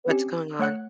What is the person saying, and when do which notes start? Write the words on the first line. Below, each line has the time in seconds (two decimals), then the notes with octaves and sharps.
What's going on?
0.08 C4 C#4 G4
0.59 A3 C#5 F#5 F#6